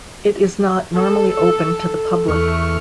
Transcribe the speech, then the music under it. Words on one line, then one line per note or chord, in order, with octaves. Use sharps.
It is not normally open to the public.
A4
E2 A3 C#6 F6